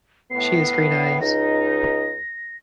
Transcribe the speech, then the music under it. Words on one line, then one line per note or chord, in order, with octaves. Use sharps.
She has green eyes.
A2 B3 C7
C#2 D#4 A#6